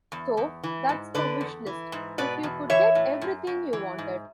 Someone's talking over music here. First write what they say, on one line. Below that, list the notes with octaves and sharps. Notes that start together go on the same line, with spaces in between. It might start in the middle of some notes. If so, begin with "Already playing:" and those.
So, that's the wish list, if you could get everything you wanted.
E2
E2
E3
G#2
D3 B4 D5
E2
E3
G#2
B2 B4 D5
E2
E3 C#5 E5
A2
F#2
F#2
E3
G#2